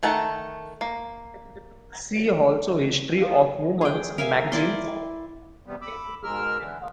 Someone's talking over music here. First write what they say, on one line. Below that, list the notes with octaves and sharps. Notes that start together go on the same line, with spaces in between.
See also history of women's magazines.
D#3 A3 F#5 A5 A#5
A#3
G#4 G5
A#4 E5 F5 G#5
E4 D5 C6
E2 C3 G3 B3
B5 D6 E6
G#2 B2 G#3 A#4 E6 F6
D3 E3